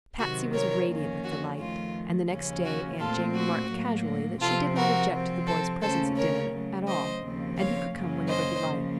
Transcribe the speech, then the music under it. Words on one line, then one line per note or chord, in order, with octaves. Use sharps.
Patsy was radiant with delight, and the next day Aunt Jane remarked casually that she did not object to the boy's presence at dinner, at all, and he could come whenever he liked.
C3 D#3 F#3 F#4
A#4 C#5
F2 D#3 A#3 C#4
F#4
F2 D#3 A3 F4
D#2 C#3 F3 A#3 C#4
F#4
A#2 A3 C4 F4 A4
F#4
A2 F#3 A#3
C3 F3 C4 F4 A4
F#4 A#4
C3 F3 C4
A4 C5
D#2 C#3 A3 C#4 A4 C5
A#4 C#5
C#3 F#3 A3
C5 D#5
D#2 C#3 F3 C4
C#5 F5
F#2 C#3 F#3 A#3 C#4
C5 D#5
C#3 F3 A#3